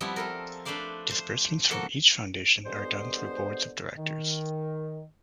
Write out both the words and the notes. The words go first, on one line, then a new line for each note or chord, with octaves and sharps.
Disbursements from each foundation are done through boards of directors.
F3 G3 B3 C4 E4
F4 A4 A#4
A3 D4 B4 C5 D5 F5
C5
F3 A#3 F#4 A4
G2 D3 G#3 B3 C5
D#3